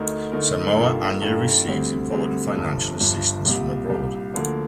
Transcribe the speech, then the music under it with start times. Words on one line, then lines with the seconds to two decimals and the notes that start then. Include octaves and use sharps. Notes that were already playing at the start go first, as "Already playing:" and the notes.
Samoa annually receives important financial assistance from abroad.
Already playing: D2 D3 A3 D#4 A#4
0.32 D2 D3 A3 D#4 A#4
0.77 G2 D#3 A#3 F4 A4
1.21 G2 D#3 A#3 F4 A4
1.67 D2 D3 G3 C4
2.11 D2 D3 G3 C4
2.56 G1 G2 F3
3.00 G1 G2 F3
3.45 C2 A#2 G3
3.89 C2 A#2 G3
4.34 D2 D3 F3 A#3